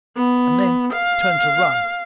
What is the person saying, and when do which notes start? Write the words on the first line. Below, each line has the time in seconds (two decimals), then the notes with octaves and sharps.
And then turned to run.
0.16 B3
0.93 F5